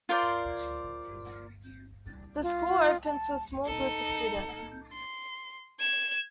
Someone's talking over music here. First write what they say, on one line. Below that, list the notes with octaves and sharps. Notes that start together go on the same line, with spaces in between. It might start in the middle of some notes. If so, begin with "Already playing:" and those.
The school opened to a small group of students.
F4 A#4 C5 D5
F4
A5
D#4 A4
C6
G#6 E7